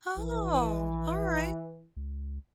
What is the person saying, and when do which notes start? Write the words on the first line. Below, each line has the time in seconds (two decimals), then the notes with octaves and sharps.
Oh, alright.
0.17 A#1 E3
1.97 C#2